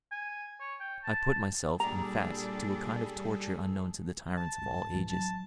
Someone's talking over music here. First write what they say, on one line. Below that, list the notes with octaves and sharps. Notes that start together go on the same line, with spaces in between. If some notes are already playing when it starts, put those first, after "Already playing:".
I put myself, in fact, to a kind of torture unknown to the tyrants of all ages.
G#5
C#5
G5
A5
A#2 G3 D4 G#4 A4 A#5
A5
G#1
A1 E3
F#3 D#4 A5